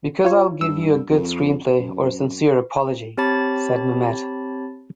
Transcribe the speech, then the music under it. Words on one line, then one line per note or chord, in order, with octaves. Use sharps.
"Because I'll give you a good screenplay or a sincere apology," said Mamet.
F4 C#5
G2 E6
F2
F#2
C4 G4 C#5 A5 B5 A6